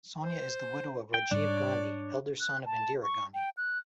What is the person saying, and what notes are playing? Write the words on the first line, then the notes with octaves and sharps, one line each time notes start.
Sonia is the widow of Rajiv Gandhi, elder son of Indira Gandhi.
C5
G5
G#2 G3 D4 C#5 D5
F#6
A5
C#6
G5
F#6